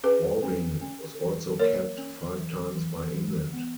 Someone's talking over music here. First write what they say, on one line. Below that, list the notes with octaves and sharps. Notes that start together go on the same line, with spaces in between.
Waring was also capped five times by England.
C#4 G#4 B4
C#4
C#4
E3
A#3 A#4 C#5
C#4
E3
E3
E3
B3